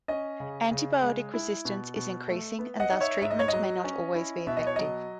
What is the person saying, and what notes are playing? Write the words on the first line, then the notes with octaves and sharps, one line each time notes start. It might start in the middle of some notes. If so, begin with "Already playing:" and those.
Antibiotic resistance is increasing and thus treatment may not always be effective.
C#4 D#5
C#3
C#3
G#3
E4
B2
B2
A3
B3
D#5 F#5
D#4
C#5 E5
G#2 E5
D#5
C#5
F#3 D#5
C#4
E4
B2 E5
D#5
C#5
F#3 D#5